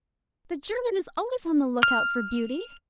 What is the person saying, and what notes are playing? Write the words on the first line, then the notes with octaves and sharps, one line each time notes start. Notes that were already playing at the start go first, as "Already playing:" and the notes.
The German is always on the lookout for beauty.
F6